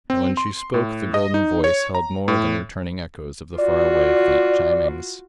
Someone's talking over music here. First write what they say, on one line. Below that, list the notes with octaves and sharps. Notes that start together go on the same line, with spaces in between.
And when she spoke the golden voice held more than returning echoes of the far-away, faint chimings.
C4
C6
A2
D#5
D#4
C#5
A#5
A2
F4 F#4 D5